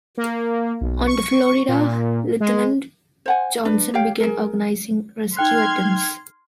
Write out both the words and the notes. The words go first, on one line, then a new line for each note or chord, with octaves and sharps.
On the "Florida" Lieutenant Johnson began organizing rescue attempts.
A#3
B1
C#6
A#2
G#3
C5 F#5 G#5
D4 B4
G4 C#5 F5 G5
G#4 A#4
D#4 G5 C6 F6 F#6 G#6